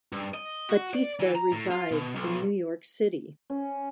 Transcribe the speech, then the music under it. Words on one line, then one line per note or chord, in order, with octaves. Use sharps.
Batista resides in New York City.
G2
D#5
F#4
D5
E3
A#5
A2
F4
B2
B1
C#4